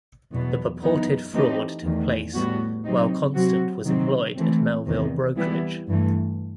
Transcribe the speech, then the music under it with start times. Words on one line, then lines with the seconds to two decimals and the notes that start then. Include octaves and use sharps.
The purported fraud took place while Constant was employed at Melville Brokerage.
0.31 E2 B2 F#3 B3
0.81 F#2 E3 B3 D#4
1.32 E3 A3 C4 D#4 G4
1.83 E2 D#3 A3
2.34 A2 G3 B3 F#4
2.84 C3 F#3 C4 D#4
3.34 C3 F#3 C4 F#4
3.85 C3 D#3 F#3 C4
4.35 E3 A3 C4
4.86 E2 C3 D#3
5.35 E3 G3 B3 E4
5.87 G2 E3 A3